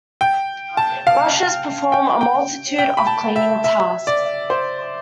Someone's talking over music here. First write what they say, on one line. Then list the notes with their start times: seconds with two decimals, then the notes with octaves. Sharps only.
Brushes perform a multitude of cleaning tasks.
0.21 G5
0.77 A5
1.07 F5
1.92 G5
2.21 G5
2.78 G5
2.97 B5
3.07 A5
3.36 E5
3.64 E5
4.07 D5
4.50 C5